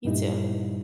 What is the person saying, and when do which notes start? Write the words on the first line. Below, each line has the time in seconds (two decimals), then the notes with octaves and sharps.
You too.
0.05 G2 A#2 G3 D#4 E4